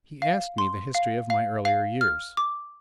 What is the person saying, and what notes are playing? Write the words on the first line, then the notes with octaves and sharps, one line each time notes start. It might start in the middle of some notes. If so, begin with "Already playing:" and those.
He asked me the history of my earlier years.
F5
C6
F5
F5
F5
F6
D6